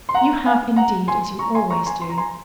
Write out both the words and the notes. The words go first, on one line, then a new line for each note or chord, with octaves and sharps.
"You have, indeed, as you always do."
C6
F#5 A#5
F5 G#5
F#5 A#5
G#5 C6
A#5 C#6
G#5 C6
A#5 C#6
G#5 C6
C6
A#5
G#5 C6